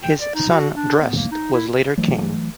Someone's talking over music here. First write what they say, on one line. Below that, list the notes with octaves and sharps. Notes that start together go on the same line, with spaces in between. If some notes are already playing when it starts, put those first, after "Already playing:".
His son Drest was later king.
G5
D5
D#4
F#4
D4
B3
A#3
D#4
E4
E3 F#3 A3